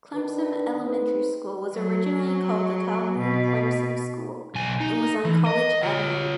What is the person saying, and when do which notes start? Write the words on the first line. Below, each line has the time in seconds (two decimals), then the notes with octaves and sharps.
Clemson Elementary School was originally called the Calhoun-Clemson School and was on College Avenue.
0.14 D#3 D4 B4
0.81 C4 D#4 B4
1.75 F#3
3.18 B2
4.55 B1 G#5
4.80 D#4
5.25 E3
5.46 D#5
5.83 F4 C#5